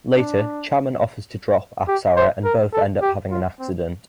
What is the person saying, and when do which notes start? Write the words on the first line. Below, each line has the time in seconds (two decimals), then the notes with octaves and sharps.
Later Chaman offers to drop Apsara and both end up having an accident.
0.16 D4
1.88 G4
2.17 C5
2.44 A#4
2.73 A4
3.02 G4
3.31 F4
3.59 C4